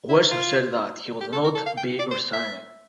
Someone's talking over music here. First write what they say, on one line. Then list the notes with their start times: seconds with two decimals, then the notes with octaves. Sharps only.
Western said that he would not be resigning.
0.09 E4
0.31 F4
1.21 G4
1.33 A4
1.44 A#4
1.55 A4
1.66 F5
1.77 G5
1.99 D5
2.11 C5
2.33 E5